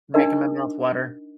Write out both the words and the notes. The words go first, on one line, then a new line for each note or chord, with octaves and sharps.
Making my mouth water.
D4 D#4 F#4 A#4 D#5